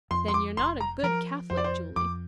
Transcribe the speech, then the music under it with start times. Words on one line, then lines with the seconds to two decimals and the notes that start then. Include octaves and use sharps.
"Then you're not a good Catholic, Julie?"
0.11 F2 C6
0.28 C6
0.34 D6
0.57 F1 C6
0.80 A#5
1.03 F3 A#4
1.50 F2 C5
1.57 D5
1.64 C5
1.96 F2 D6